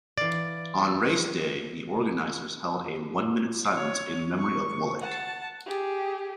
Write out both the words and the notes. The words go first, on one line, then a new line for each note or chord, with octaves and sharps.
On race day, the organizers held a one-minute silence in memory of Wollek.
E3 D5 F5
C#5
C#6
F#5 A5
G4 G#4